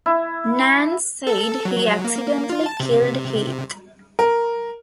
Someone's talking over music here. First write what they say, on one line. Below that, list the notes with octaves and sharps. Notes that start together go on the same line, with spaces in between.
Nance said he accidentally killed Heath.
E4
A4
F#3
A#3
F4
A5
C3
A#4